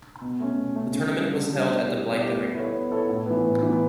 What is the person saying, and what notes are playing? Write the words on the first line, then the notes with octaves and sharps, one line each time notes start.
The tournament was held at the Blyth Arena.
B2
A3 C#4
B2
A3 C#4
C#3
G3 D4
C#3
G3 D4
B2
A3 E4 G4 D5
B2
A3 E4 G4 D5
B3
E4 A4 C#5
B3
E4 A4 C#5
A2
E3 B3
A2
E3 B3